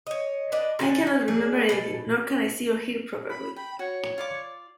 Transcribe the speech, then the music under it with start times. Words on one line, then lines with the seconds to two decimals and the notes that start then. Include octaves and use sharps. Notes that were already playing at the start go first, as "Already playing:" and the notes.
I cannot remember anything, nor can I see or hear properly.
0.07 C#5 D#5
0.52 D4 B4 D5 D#5
0.79 D3 F4 G#5
1.07 C#4
1.28 F#3 D4 G#4
1.69 B2 A4 G#5
3.29 B5
3.56 G5 B5
3.79 F#4 C#5
4.18 F4 D5 D6